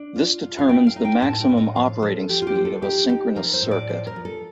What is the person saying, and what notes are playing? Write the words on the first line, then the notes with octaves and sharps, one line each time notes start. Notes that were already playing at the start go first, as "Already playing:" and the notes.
This determines the maximum operating speed of a synchronous circuit.
Already playing: D4
F4
F4
F5
A3 G5
F5
D#4
G5
A2 A5
G5
A2
D#5
F3 F5
F3 A4
F3 G4
F4
G4
F3
A4
D#4 G4
D#4 G4
F3 A#4
C5
A2
D5
F3 C5
A#4
F3
A4